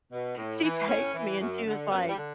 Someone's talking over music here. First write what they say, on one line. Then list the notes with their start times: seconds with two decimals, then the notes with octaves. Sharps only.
she texts me, and she was like,
0.12 B2
0.37 A2
0.63 E3
0.88 A2 C#4
1.15 E3
1.40 F#2
1.66 D3
1.91 F#2 B3
2.09 G3
2.17 D3